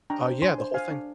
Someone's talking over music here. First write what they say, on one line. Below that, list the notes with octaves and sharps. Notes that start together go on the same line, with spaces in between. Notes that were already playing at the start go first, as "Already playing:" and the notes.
Uh, yeah, the whole thing
D4 G5 A#5
C5
D4 G#5 C6
C5
C5 F5 G#5
D4